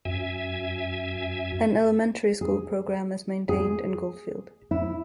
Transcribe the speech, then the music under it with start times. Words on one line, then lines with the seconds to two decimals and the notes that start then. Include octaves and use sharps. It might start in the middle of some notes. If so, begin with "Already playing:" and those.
An elementary school program is maintained in Goldfield.
0.05 F#2 E5 G#5
2.41 G#4
3.49 G#4
4.71 E4